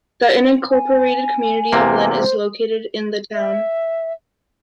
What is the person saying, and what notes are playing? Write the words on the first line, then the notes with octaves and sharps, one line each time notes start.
The unincorporated community of Lynn is located in the town.
G#5
E2 C3 A#3
C5
E5